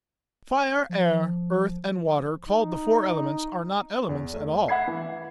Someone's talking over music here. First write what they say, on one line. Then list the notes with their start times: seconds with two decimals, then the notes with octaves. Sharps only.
Fire, air, earth, and water, called the four elements, are not elements at all.
0.89 F3
2.48 D#4
4.09 E2
4.34 A3
4.68 E5 F#5 B5 G#6 C7
4.87 E3